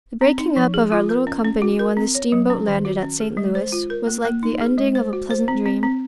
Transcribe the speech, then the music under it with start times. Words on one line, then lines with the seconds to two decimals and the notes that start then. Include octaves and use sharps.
The breaking-up of our little company when the steamboat landed at Saint Louis was like the ending of a pleasant dream.
0.21 C4
0.39 D#4
0.56 F3
0.74 G#4
0.92 F4
1.09 A#4
1.27 C#4
1.45 C#4
1.62 F#4
1.79 A#4
1.97 C4
2.15 C#5
2.32 F#3
2.50 C#4
2.67 D#3
2.85 F#4
3.02 C#4
3.20 G#4
3.37 G#3
3.55 C5
3.72 F4
3.90 A#4
4.07 A#3
4.25 A#3
4.43 D#4
4.61 G#4
4.78 G#3
4.95 C5
5.13 F#4
5.31 C5
5.48 C4
5.66 C4
5.83 C4